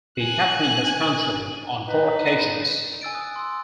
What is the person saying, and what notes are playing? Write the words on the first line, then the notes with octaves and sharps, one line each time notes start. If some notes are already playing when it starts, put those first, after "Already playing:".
He captained his country on four occasions.
G#5 F#6
D#4 B4
G#5 E6 A6 D7
D#6 F#6
C6 E6